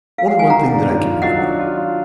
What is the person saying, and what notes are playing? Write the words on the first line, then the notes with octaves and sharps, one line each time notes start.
Only one thing that I can remember.
F5
F#5
G#5
D#3 F#5 A#5
D4
F4
F4
F#3 D#5 F#5
D4
F4
F4